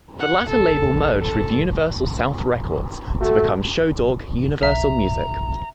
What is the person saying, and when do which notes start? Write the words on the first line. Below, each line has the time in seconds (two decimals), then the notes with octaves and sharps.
The latter label merged with Universal South Records to become Show Dog-Universal Music.
0.20 F#5
0.49 A4
1.20 A4
3.21 A3 F#4 A4
4.63 B1 E5 A#5